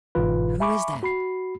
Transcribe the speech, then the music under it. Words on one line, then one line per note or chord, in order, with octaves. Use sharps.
"Who is that?"
G1 G#2 B2 E3 F4 B4
E5 G#5 B5 C#6 D6
F#4 B5 C7